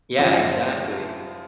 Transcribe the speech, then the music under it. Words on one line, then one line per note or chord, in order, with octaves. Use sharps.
Yeah, exactly.
F#2 C#3 F3 C4 E4